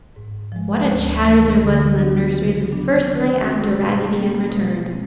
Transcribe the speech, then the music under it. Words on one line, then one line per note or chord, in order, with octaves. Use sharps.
What a chatter there was in the nursery the first night after Raggedy Ann returned.
G#2
F3 G#3
D2
C3 E3 A3 D4
D3
F#3 B3 D4 F#4
C#3
F#3 B3 D4
D#3
G#3 C#4 F#4
B2
G3 A#3 C#4
B2
G#3 C4